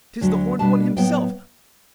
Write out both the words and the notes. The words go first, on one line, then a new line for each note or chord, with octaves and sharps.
'Tis the Horned One himself!
D2 D3 F#3 A3
B2 G3 D4 A5
A2 F#3 B3 G5